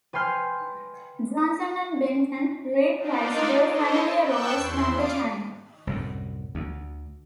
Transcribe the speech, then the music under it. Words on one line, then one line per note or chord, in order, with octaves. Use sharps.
Johnson and Benton reprised their familiar roles from The Time.
B4 G5 G#5 C6 F6 G6
D4 D#4 F4 D5
A4 C5 C#5 D#5
G5 A5 C#6 E6 F#6 G6
E2 E4 C6
F4 D5 F5 D#6 D7
C2 F#2 A2
D2